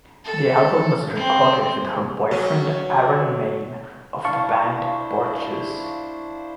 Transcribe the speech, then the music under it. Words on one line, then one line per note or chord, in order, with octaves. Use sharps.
The album was recorded with her boyfriend Aaron Maine of the band Porches.
A4
C4
F#3 C#4
D4 E4 C5 F5 A5 C#6